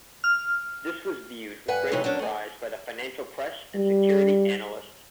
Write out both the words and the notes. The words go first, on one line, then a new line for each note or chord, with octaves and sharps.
This was viewed with great surprise by the financial press and security analysts.
F6
G2 B4 F#5 G#5
C3 E3 F#3 A3 D#4 A4
F#3 A#3 C#4 D4
A3 G#5
G3